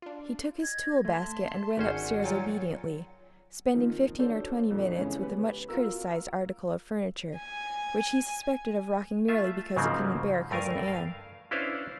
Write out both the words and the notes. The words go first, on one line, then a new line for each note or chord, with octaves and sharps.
He took his tool basket and went upstairs obediently, spending fifteen or twenty minutes with the much-criticised article of furniture, which he suspected of rocking merely because it couldn't bear Cousin Ann.
D4 F4
D#5 G#6
A3 E5 A5 C6
G#1 C#4 C5 D5 F#5 G#5
F#3 F4 G5 A6
D#3 F3 A#3 C4
D4 F#4 A4 C5 C#5
F2 A#2 D3
C#3 E3 G#3 B3 C#4
B3 G4 B4
F4 F#4 A#4 E6
G#5
A3 F4 E5
G#2 C#3 F3 F#3 A#3 C4
G2 A3 A#4 F5 G#5
F5
C#4 D4 E4 B4 C5 F5